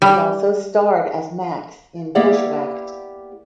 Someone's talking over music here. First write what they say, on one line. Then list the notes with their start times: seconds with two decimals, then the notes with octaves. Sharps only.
He also starred as Max in "Bushwhacked".
0.02 G3
2.15 A#3 B3 E4 G4 D5 F#5